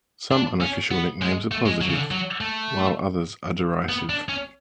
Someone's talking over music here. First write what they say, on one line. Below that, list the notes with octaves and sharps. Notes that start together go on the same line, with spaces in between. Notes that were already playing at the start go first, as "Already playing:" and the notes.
Some unofficial nicknames are positive, while others are derisive.
D4
C#4
B3
G#3
A3
G#3
F#3
C#3
D3
F#3
A3
B3
D4
C#4